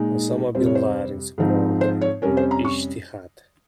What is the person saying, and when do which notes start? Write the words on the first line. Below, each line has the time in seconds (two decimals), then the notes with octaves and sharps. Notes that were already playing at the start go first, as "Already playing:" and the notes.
Osama Bin Laden supported "ijtihad".
Already playing: A#2 G#3 D#4
0.55 F2 C3 G3 C5
0.66 C#5
0.75 C5
1.38 G#2 F3 C4 D#4
1.81 C5
2.01 C#5
2.22 F2 C3 G3 C#4 A#4
2.37 C5
2.51 A#5
2.65 C#6